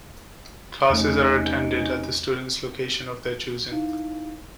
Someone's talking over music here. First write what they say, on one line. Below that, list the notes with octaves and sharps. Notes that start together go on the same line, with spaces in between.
Classes are attended at the students location of their choosing.
E2 C3 A3 C#4 D#4
D#4 E4 F5